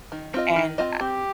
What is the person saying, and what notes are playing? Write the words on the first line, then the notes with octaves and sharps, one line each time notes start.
and, uh
D#3
C4 F4 D#5
D#3
C4 F4 D#5
C4 G4